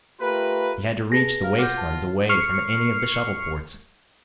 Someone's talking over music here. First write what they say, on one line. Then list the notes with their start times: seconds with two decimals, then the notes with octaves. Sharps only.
He had to reach the wastelands away from any of the shuttle ports.
0.21 A3 F4 G4 A#4 B4
1.12 G#4 B4 A5 A#6
1.43 A#4 F5
1.58 F4 F#5 D6 G6
1.77 A5
2.29 C#6 F6 C7 C#7